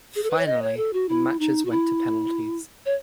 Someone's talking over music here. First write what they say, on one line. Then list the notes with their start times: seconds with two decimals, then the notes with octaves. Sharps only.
Finally, the matches went to penalties.
0.15 G#4
0.23 A4
0.30 B4
0.38 C#5
0.46 D#5
0.62 C#5
0.77 A4
0.93 F#4
1.09 E4
1.39 D#4
1.65 F#4
1.71 E4
2.86 C#5